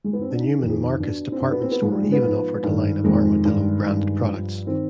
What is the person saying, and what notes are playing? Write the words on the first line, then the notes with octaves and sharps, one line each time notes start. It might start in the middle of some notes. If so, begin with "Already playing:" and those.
The Neiman Marcus department store even offered a line of Armadillo-branded products.
G#3
B3
B2 C4
D4
D#4
F2 D#3 G4
G#4
F4
B2 D4
C4
B2 D4
B3
C4
B3
G#2 F3 G#3
G3
G#3
B3
G#2 F3
G2 D#3
F2 C3 D#3 G#3
G2 D#3
G2 D#3
G2 F3 G3
D#3 C4